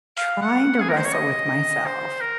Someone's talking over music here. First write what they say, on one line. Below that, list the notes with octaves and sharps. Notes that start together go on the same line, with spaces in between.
trying to wrestle with myself
F5
F#5
G#4
A#4
C5
C#5
D#5
C5
A#4